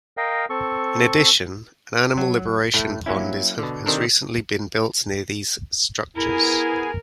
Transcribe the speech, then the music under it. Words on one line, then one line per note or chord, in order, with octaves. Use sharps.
In addition, an animal liberation pond has recently been built near these structures.
A#4 D#5 F5 G5
C4 A4 C#6
F#3
A2 A3
F#3 A#3 C#4 E4
B2 D3
C3 D#3 C4 D4 A4 A#4
B3 E4 G#4 A#4 G#5